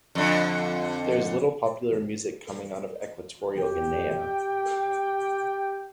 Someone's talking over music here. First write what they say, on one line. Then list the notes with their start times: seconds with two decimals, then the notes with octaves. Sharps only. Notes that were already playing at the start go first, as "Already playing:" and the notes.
There is little popular music coming out of Equatorial Guinea.
0.15 F2 D3
3.56 G4 G5